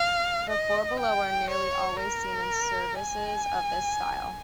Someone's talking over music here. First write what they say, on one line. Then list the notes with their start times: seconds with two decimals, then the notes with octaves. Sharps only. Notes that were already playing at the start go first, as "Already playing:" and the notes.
The four below are nearly always seen in services of this style.
Already playing: F5
0.50 D#5
1.01 G5
1.50 C#5
2.00 A#4
3.02 G#5